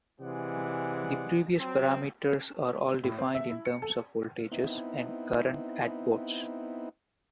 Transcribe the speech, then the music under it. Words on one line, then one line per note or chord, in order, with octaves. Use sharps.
The previous parameters are all defined in terms of voltages and currents at ports.
C3 E3 G#3 D5 F#5
F#3 C4
A2
C4
E5
E4
C#7
A4
B3 C4 D#4 E4